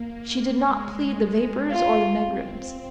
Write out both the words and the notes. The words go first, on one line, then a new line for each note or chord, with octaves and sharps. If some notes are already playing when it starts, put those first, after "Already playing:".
She did not plead the vapours or the megrims.
Already playing: A#3
G#3
F4
C4